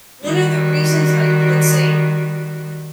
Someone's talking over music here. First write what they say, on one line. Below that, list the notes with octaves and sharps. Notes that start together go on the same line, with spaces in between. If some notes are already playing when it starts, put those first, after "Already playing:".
one of the reasons, like, let's say
D#3 G3 F#4